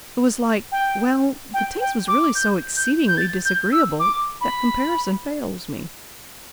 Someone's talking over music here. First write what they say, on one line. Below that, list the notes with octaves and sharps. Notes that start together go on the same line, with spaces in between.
It was like--well, the taste was really so exceedingly disagreeable that comparison fails me.
G5
G5
G5
D6
G6
G6
G6
A6
G6
E6
D6
B5